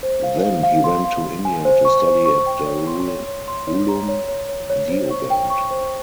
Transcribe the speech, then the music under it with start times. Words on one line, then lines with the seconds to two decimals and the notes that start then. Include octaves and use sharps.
Then he went to India to study at Darul Ulum Deoband.
0.03 C5
0.23 F5
0.43 F5
0.63 F5
0.84 C6
1.05 F5
1.25 F5
1.45 G#5
1.65 C5
1.85 C#6
2.05 C5
2.25 C#6
2.46 G5
2.66 C#5
2.87 C6
3.08 C#5
3.27 C#5
3.48 C6
3.68 C#5
3.88 A#5
4.09 C#5
4.28 C#5
4.49 C#5
4.70 C#5
4.90 C5
5.11 C#6
5.30 G5
5.50 C#6
5.71 C5